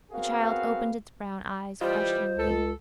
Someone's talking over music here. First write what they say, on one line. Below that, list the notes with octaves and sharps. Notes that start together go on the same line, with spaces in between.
The child opened its brown eyes questioningly.
B3 C4 F#4 G#4 A#4 F5
E3 G3 F4 C5 D#5
C#2 A4